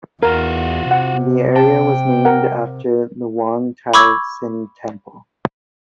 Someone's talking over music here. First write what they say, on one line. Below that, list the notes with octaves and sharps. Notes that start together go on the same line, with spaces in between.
The area was named after the Wong Tai Sin Temple.
E2 F4 F#4 A#4
C3 F#5
G5 A5
A#4 F#5
B5 C#6 D6 E6 G#6